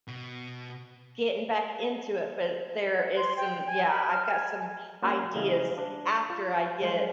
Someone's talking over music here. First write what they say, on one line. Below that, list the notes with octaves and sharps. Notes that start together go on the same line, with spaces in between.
getting back into it, but there is some yeah, I've got some ideas after I get
B2
F#5
C6
G5
G#5
B5
F6
G#5
G#5
A#3 C#4 F#4 D5
C#3 E3 G3 G#3 D#5 F5
D4
F4
F#3 G#3 A#4 C5